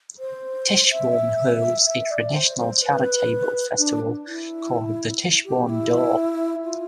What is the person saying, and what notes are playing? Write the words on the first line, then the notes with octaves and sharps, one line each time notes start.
Tichborne holds a traditional charitable festival called the Tichborne Dole.
C5
E5
E5
D5
C5
C5
B4
D4
E4
G4
E4
F4